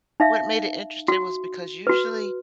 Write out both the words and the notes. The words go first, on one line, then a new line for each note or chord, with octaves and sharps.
what made it interesting was because, usually,
D#4 E5 F5
F#4
F#4 B4